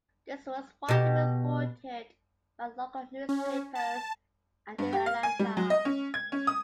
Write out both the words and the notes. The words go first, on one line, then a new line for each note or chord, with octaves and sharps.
This was widely reported by local newspapers and in Atlanta.
B2 G4
C#4
A5
G2
G4
F5
G#5
G3
F#3
D#5
C#4
G#6
C#4
D#6